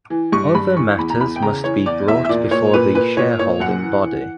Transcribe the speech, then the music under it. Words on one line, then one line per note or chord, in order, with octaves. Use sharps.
Other matters must be brought before the shareholding body.
E3
G2 C#6
G2 B5
E3 C#6
E2 B5
A#5
E2 B5
G5
C#3 A#5
E3 C#5
E2 D5
E2 E5
E5
A#2 D5
A#2 C#5
A#2 B4
A#2 B4
A#2 C#5
A#2 C#5
F#2 F#5
E3
E3